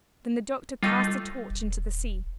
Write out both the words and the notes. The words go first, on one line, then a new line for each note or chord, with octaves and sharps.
Then the doctor cast the torch into the sea.
G3 A3 D#4 F4
D#1